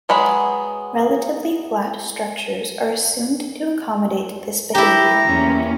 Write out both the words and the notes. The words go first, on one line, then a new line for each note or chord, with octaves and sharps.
Relatively flat structures are assumed to accommodate this behavior.
F#3 G#3 B3 B5
E4 G4 A#5
E2 A#3 C#4